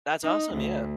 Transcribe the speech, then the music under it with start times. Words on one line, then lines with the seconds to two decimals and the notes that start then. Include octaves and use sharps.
That's awesome, yeah.
0.23 D#4
0.55 D2